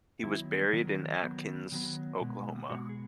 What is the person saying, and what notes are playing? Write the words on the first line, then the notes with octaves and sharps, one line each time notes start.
He was buried in Akins, Oklahoma.
D#3 F#3 B3 E4
D#3 F#3 B3 A#4
D#3 F#3 B3
D#3 F#3 B3
B2 G#3 B3
B2 G#3 B3 F#4
G#4